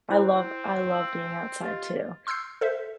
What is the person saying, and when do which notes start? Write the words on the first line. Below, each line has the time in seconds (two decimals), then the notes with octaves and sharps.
I love I love being outside too. You
0.10 C4 E4 C5
0.91 E6 F#7
1.61 F4 G4 D#5 A6
2.27 C6 E6 F6 G6 C7
2.61 A4 C5 E5